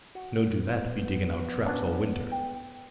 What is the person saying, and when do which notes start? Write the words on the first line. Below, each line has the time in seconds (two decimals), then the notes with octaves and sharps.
No do that, be digging out traps all winter.
0.15 F#4
0.56 B3
1.65 C#4 D4 F#5
2.32 G5